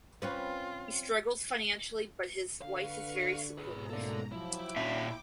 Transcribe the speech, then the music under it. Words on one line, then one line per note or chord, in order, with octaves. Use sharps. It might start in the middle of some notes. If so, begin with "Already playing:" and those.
He struggles financially but his wife is very supportive.
C4 C#4 F4 B4
D3 B4 F5 C#6
G#2 B2 G#4 B4 A#5
A2 C#3 A#3 A4 D5
F3 F#3 E4 G5 D6
A#2 C#4 D4 F#4 E5